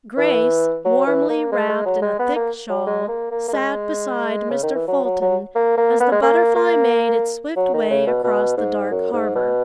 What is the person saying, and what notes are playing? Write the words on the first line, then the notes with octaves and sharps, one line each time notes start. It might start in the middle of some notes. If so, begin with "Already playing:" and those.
Grace, warmly wrapped in a thick shawl, sat beside Mr. Fulton as the Butterfly made its swift way across the dark harbor.
E3
F#3
E3
A#3
G#3
G#3
F#3
G#3
B3
A#3
F#3
G#3
A#3
A#3
A#3
G#3
C#3
D#3
E3
F#3
F#3
F#3
A#3
A#3
B3
G#3
A#3
A#3
F#3
D#3
C#3
B2
B2
G#2
F#2
G#2
B2